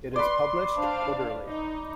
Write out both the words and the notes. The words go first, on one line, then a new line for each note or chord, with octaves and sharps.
It is published quarterly.
B4 D5 C6
D4 C5 F5
D#4